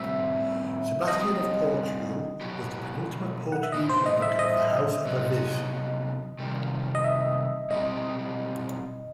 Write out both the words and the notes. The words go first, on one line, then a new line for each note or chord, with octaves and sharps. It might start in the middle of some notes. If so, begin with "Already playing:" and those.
Sebastian of Portugal was the penultimate Portuguese monarch of the House of Aviz.
Already playing: A2 G3 C4 E5
G3 C4 F#4 D#5
B2 F#3 B3 E4 G4
F#5
E5
A2 E3 B3 E4 D#5
C5
D#5
E5
D#5
C3 F#3 B3 F#4
C3 D#3 G3
D#5
E5
B2 G3 C4 E4 G4 D#5